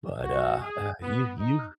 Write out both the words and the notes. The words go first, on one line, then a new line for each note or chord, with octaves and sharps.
but, uh, uh, you you
F#4
G#4
B3
D#4